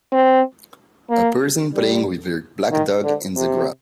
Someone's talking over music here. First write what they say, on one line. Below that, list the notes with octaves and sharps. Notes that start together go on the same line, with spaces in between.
A person playing with their black dog in the grass.
C4
A#3
G3
D#3
D3
C3